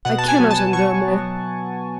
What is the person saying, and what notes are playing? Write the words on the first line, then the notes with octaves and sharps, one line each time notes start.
I cannot endure more!
B2 F#5
A5
G#5
F#3 B3
A5
B2 C#6
F#3 B3